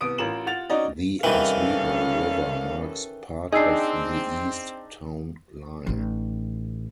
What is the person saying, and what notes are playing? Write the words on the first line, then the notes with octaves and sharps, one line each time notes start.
The Oswego River marks part of the east town line.
C2 B3 D#6 D7
A1 F4 A#4 E7 F#7
F4 F#5 A6 F7
C#4 D#4 F#4 D5 D#5
C2 D#3 E3 C#4 A4 E5 F5
C4 D4 D#4 G#4 D#5 E6 C7
A1 D#4